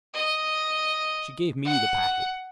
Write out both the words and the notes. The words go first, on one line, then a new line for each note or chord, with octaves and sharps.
She gave me the packet.
D#5
F#5